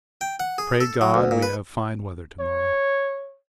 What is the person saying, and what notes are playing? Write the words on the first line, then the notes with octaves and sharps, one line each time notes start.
Pray God we have fine weather to-morrow.
G5
F#5
G#4
A4
F#3
D2
A#2
B4
C#5